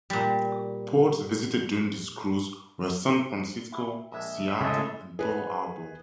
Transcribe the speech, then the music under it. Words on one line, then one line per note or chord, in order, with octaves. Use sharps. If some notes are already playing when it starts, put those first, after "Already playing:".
Ports visited during this cruise were San Francisco, Seattle, and Pearl Harbor.
A#2 G3
E4
A#1 G#3 E5
G#2 C#3 E3 G#3 A3 A4
G#4 B4